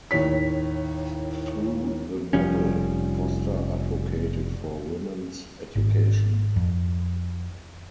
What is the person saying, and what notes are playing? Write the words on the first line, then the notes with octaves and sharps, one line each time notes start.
Through the novel, Foster advocated for women's education.
D#2 A2 C#5 B6
F1 F3 G3 C#4
G#1
F2